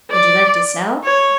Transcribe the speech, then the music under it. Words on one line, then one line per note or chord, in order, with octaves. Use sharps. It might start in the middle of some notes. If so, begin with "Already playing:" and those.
"Would you like to sell?"
D5
C#5